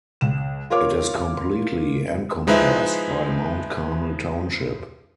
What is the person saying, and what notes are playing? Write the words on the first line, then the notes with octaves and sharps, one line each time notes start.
It is completely encompassed by Mount Carmel Township.
C#2 E7
F4 A#4 C#5 F5 D6
F3 G#3 D#4 E4 B4 E5